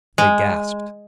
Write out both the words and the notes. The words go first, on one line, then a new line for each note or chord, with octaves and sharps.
They gasped.
G#3